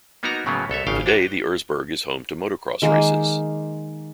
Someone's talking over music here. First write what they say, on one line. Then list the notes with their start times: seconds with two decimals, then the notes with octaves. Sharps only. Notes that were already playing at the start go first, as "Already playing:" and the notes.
Today the Erzberg is home to motocross races.
0.23 A#3 B3 D#4 F#4 A#4 A#5
0.46 A2 C#3 F#3 A#3 B3
0.70 C2 A4 C#5 E5
0.87 G#1 C#3 F5 G5
1.06 D4 F#4 G5 A#5
2.82 D#3 G#3 A#3